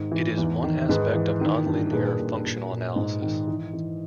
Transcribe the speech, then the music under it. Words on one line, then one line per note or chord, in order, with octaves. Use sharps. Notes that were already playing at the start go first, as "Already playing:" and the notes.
It is one aspect of nonlinear functional analysis.
Already playing: G#2 D#3
E3
E2
D#3
G#2 G#4 B4
E3
D#3
G2
A#2 G#4 B4
A#2
A#2
A#2
G#2
D#3
E3
E3